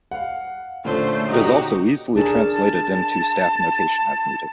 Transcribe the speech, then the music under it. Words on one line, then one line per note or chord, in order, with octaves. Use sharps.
It is also easily translated into staff notation, as needed.
F5 F#5
A#2 D3 A3 C#4 A4 C5
D#4 F#4 G4
D4 G#4 A#4 A5